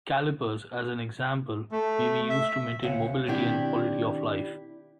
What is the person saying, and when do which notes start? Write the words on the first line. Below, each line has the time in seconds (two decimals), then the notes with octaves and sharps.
Calipers, as an example, may be used to maintain mobility and quality of life.
1.71 A3
2.29 E5
2.82 D2 C#3 F#5
3.26 B2 D#3 C4 D4 E4 G4